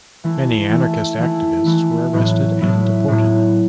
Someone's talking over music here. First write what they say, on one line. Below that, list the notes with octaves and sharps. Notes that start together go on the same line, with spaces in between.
Many anarchist activists were arrested and deported.
E3 A3 E4
E3 A3 E4
E3 A3 E4
E3 A3 E4
A2 F#3 B3 E4
A2 F#3 B3 E4
A2 F#3 B3 E4